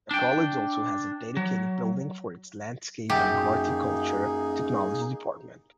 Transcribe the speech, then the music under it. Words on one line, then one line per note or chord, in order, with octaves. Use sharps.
The college also has a dedicated building for its Landscape and Horticulture Technology Department.
D4 G5
F#3
F#2 A#3 D#4 G4 G#4